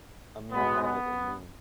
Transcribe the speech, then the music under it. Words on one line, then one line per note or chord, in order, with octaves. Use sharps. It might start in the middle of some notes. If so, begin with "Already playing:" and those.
A mere habit in me.
B1 B2 G#3 B3
B3